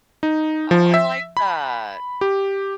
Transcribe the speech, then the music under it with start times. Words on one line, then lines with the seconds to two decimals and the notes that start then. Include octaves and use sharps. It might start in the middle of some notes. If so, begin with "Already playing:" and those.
Oh, I like that.
0.23 D#4
0.71 F3
0.94 E5
1.37 B5
2.21 G4